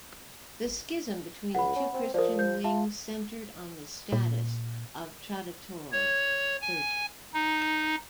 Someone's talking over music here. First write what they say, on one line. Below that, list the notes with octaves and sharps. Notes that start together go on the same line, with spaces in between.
The schism between the two Christian wings centered on the status of traditore clergy.
C#2 F#5 B5
C#4
C4
F3 A#4 C5 D5
G6
F4 E5 A5
A#2
C#5
G#5
D#4